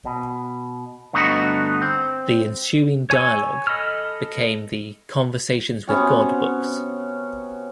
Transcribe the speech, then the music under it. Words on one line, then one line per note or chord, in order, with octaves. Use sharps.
The ensuing dialogue became the "Conversations with God" books.
B2
G2 D3 A3 B3 D#4 F#4
C4
C#5 G#5 C#6 E6
A4 D#5 B5 E6 F6
C3 B3 C#4 F#4